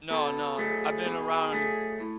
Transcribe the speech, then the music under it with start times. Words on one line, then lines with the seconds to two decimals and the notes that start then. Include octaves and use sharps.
No, no, I've been around
0.11 B2 A4
0.58 F#3 A3 G#4
1.05 B2
1.53 F#3 A3
2.00 A2